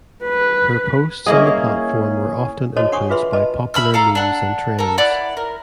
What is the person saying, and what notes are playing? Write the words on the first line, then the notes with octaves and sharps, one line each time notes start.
Her posts on the platform were often influenced by popular memes and trends.
B4
A#3 C#4 E4 G#4 D#5
F#4 A4 C5 C#5 D#5 A5
D4 F#5 C6 C#6 D#6
F4 G#4 B4 E5 B5 C6
B4 D#5 A5
E5 B5 E6 F6
A4 F5 A#5
D4 F#5
A4 A#4
E4 D5 F#5
A#4